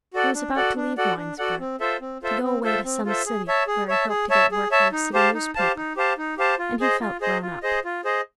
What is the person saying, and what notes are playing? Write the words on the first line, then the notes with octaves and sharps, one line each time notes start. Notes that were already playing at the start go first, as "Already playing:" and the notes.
He was about to leave Winesburg to go away to some city where he hoped to get work on a city newspaper and he felt grown up.
F#4 A4 D5 F#5
D4
F#4 A4 D5 F#5
D4
F#4 A4 D5 F#5
D4
F#4 A4 D5 F#5
C4
F4 A4 C5 E5
C4
F4 A4 C5 E5
C4
F4 A4 C5 E5
C4
F4 A4 C5 E5
G#4
C#5 E5 A5
G#4
C#5 E5 A5
G#4
C#5 E5 A5
G#4
C#5 E5 A5
D#4
G4 C5 F5 A5
D#4
G4 C5 F5 A5
D#4
G4 C5 F5 A5
D#4
G4 C5 F5 A5
F4
G#4 C5 D#5
F4
G#4 C5 D#5
F4
G#4 C5 D#5
F4
G#4 C5 D#5